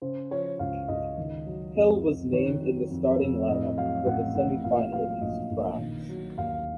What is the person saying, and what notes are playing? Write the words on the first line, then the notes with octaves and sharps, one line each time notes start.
Hill was named in the starting line up for the semi-final against France.
C#3 C5
F3 C#5
C#2 F5
C#2 D#5
D#3
F#3
F2
F2
D#3 C#5
F#3
F2
F2
A2 D#5
F#3 F5
A1 F#5
A1 F#5
A#2 F5
F#3 F5
A#1 D#5
A#1
D#3
F#3
D#2 F5